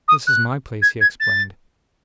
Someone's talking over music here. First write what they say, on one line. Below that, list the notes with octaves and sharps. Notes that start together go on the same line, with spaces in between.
"This is my place," he explained.
D#6
F#6
G#6
G#6
A6